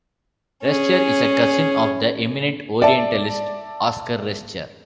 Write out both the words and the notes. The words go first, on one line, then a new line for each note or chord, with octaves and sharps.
Rescher is a cousin of the eminent orientalist Oskar Rescher.
C#4 G#4
D5 E5 A5